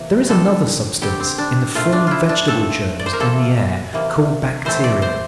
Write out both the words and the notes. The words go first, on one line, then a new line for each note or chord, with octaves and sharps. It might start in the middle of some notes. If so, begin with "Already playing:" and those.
There is another substance in the form of vegetable germs in the air called bacteria.
Already playing: C3 E3 A#3
D3 G3 C4 A4
D3 G3 C4 G4
C4
D4
A#2 A3 C4 F4
D4
E4 F4
D4
A#2 A3 C4 A4
D5
C5
A#4
C3 E3 A#3 A4
C3 E3 A#3
E3 A3 C4 C5
D5
C5